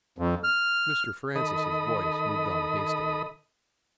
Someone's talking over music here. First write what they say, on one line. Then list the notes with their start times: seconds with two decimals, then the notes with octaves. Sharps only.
Mr. Francis's voice moved on hastily.
0.18 F2
0.44 F6
1.35 D#3 A4 D#5 B5 D#6